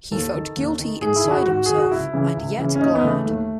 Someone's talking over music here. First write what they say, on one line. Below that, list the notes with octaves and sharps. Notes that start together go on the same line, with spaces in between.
He felt guilty inside himself, and yet glad.
D#2 A4
D#3
D#2
D#3
G#2 G#4
E4
D#3 G#4
F#4
G#2 F#4
D#3 G#4
F#4
C#2 E4
C#3 E3
C#2
C#3 E3
C#4
D#2 D#4
B3
C#3 E3 A3
D#2 A3